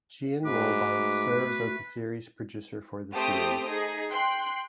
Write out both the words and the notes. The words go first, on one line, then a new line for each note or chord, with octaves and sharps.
Jane Wallbank serves as the series producer for the series.
G#2 A3 F#4 B4 D6
A3 C4 G4 C5 D#6 D7
D#4 G#4
G5 C6 F#6